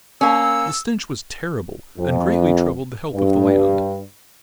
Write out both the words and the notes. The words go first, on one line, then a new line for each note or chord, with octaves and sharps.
The stench was terrible and greatly troubled the health of the land.
A#3 C#4 E6
F2
G2